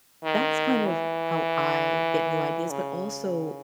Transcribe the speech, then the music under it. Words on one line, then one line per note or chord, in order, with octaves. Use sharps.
that's kind of how I get new ideas, but also
D#3
E3
C#3